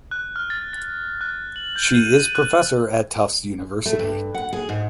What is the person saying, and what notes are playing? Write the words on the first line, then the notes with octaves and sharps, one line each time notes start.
She is professor at Tufts University.
F#6
F6
A6
A6
F#6
F#7
G6
D#7
D#7
F#6
A3
G2
F#5
G#4
G#2